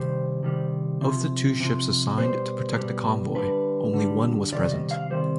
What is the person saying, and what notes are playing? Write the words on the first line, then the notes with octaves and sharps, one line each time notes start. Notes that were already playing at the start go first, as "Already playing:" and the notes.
Of the two ships assigned to protect the convoy, only one was present.
Already playing: C3 D#3 G3 C5
C3 D#3 G3
C3 F3
C3 F3
B2 G3 C5
B2 G3
D3 G3 B4
D3 G3
C3 D#3 G3 D5
D#5
F5
C3 D#3 G3 C5